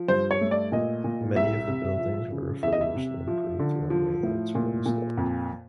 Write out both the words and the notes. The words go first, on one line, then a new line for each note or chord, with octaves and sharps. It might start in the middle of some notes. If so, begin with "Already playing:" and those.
Many of the buildings were refurbished and improved runway lights were installed.
Already playing: F3
G2 C5
C#5
A3
D5
A#2 D#5
A#2
C2 E5
C3
F3
C#3
E2 E5
D#5
E5
C3
F3
D3
F3
A2
A#2
A#2
F2